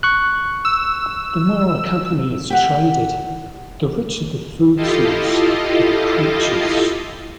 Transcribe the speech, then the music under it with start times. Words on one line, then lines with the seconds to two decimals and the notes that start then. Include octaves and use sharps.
The more a company is traded, the richer the food source for the creatures.
0.03 C#6 F#6
0.65 E6
2.50 G4 F#5
4.76 E4 F4 G4 A4 D#5 F5